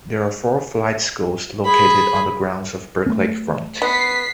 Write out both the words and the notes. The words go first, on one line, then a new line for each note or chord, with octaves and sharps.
There are four flight schools located on the grounds of Burke Lakefront.
G#4 B5
A3 C4
B3 B6 C7